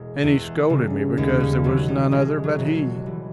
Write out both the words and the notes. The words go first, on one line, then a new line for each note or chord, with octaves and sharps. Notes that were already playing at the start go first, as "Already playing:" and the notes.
And he scolded me because there was none other but he.
Already playing: E1 G#3
E2
C#3 G3
D#2 G#3
G3
E1 F#3
G3
E1 G#3
F#3
E1
F#3
E3 G3